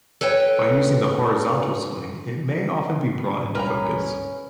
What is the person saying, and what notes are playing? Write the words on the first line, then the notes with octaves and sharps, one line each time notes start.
By using the horizontal swing, it may often be brought into focus.
A4 B4 C#5 G5
C#2 G2 A#2 C#4 A#4 B4 G#5 A#5